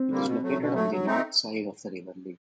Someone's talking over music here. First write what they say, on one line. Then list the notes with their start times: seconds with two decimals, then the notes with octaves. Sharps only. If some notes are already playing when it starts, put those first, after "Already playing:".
It is located on the north side of the River Lee.
Already playing: C4
0.09 D3 G3 A#3
0.25 B2
0.42 F#3 A3
0.58 B2
0.74 F#3 A3
0.90 F#3
1.06 A3 C4 D#4